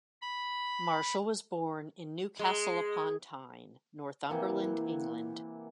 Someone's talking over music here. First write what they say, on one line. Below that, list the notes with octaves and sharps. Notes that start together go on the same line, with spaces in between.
Marshall was born in Newcastle upon Tyne, Northumberland, England.
B5
G#3
C3 E3 A#3 F#5